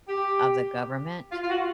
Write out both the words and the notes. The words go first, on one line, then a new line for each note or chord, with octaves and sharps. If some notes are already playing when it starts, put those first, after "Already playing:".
of the government
G4
F4
F4
F#4